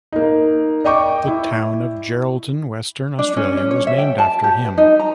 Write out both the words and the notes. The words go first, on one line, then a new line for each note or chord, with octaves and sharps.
The town of Geraldton, Western Australia was named after him.
A#3 D#4
D5 D#5 G5 C#6 D6
E4
D4
C#4
C#4
C#5
E5
G5
A5
G4
B4
D#4
A#5